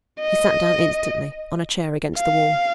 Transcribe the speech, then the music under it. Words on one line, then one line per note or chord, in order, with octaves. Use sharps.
He sat down instantly, on a chair against the wall.
D#5
F5